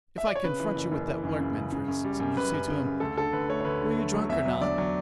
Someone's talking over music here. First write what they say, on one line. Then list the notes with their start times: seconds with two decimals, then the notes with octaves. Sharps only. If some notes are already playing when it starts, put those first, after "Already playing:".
If I confront you with that workman for instance and you say to him 'were you drunk or not?
0.18 E5
0.27 D5
0.35 C#5
0.44 C#3 B4
0.60 E3
0.76 F#1
0.92 F#1
1.08 E3
1.24 F#2
1.40 C#3
1.56 C#3
1.72 C#3
1.88 F#2
2.04 G3
2.20 F#2
2.37 F#2 B4
2.52 F#2
2.68 C#3
2.85 F#2
3.00 D2 A4
3.18 D3 A4
3.33 D2 B4
3.49 A3 C#5
3.61 C#5
3.65 D2 B4
3.81 D3
3.97 A3
4.14 F#3
4.29 E2 E5
4.46 F#3
4.61 D3 D5
4.78 F#3